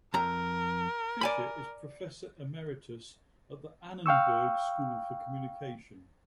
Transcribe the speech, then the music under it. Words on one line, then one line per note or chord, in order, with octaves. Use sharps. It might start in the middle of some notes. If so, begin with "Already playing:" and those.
Fisher is Professor Emeritus at the Annenberg School for Communication.
F2 A#4 A#5
D5 G#5 B5
F5 G5 C#6 E6